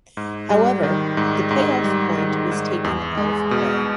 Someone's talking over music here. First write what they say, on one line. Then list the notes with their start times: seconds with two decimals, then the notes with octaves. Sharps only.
However, the payoff point was taken out of play.
0.17 G#2
0.50 G3
0.83 D#3
1.17 G#2
1.51 G#2
1.84 G3
2.18 D#3
2.51 G#2
2.84 E2
3.17 G#3
3.51 B2